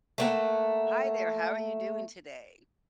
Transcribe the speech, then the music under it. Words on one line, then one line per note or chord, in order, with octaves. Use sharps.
Hi there, how are you doing today?
A3 A#3 F#5